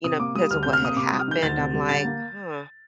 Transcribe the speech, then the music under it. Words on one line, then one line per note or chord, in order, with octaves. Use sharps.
You know, because of what had happened, I'm like, "Huh"
C3 D#6
A#3 D6
G3 D#6
D2 F6
G6
C3
F6
A#3 D#6
C3 D6
D#6
G3
F6
D#3 G6
D2 A6
C3
G3
D3 A6
A#3